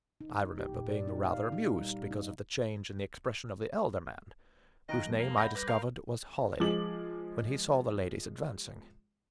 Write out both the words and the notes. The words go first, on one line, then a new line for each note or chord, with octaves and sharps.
I remember being rather amused because of the change in the expression of the elder man, whose name I discovered was Holly, when he saw the ladies advancing.
D#4
G4
A#2
D5
D#4
F5
D#4
G3
D#4
D#3 D#5 F5 G5 A#5 F#6 D7
F2 F3 G3 B3
A#3
D5 E5 F#5 B5 G6 A#6
G3 B4 D6
A#4 F5 F6
F3 G#3 D6 F#7